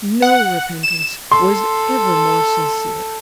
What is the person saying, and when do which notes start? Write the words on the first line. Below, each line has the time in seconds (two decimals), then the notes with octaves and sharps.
No repentance was ever more sincere.
0.22 F#5
0.83 E7
1.31 A4 C6